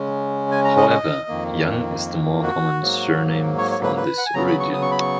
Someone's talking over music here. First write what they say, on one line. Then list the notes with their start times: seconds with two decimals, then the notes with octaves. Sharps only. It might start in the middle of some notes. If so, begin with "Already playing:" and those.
However, Young is the more common surname from this origin.
Already playing: C#3 G#3 C#4
0.51 G#5
0.65 A#5
0.77 D#5
0.90 D#5
1.28 F2 D#3 A#3
2.43 F#4
2.82 G#2 F#3 A#3
3.58 C#5
3.71 C#5
3.83 B4
3.97 B4
4.18 F#5
4.26 G#5
4.34 C#3 F#3 B3 A#5
4.47 B5
4.60 C#6
4.73 D#6
4.82 C#6
4.91 B5
5.00 C#6